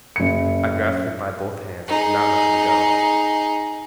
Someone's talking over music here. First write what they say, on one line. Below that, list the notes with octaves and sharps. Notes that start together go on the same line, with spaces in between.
I grasped him by both hands, and could not let them go.
F#1 C#7
D#4 G#4